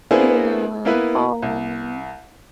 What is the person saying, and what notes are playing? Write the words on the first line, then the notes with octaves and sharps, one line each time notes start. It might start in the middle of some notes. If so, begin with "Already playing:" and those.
Yeah, oh.
A#3 B3 D4 E4 G#4 C5
A#3 B3 E4 B4
C2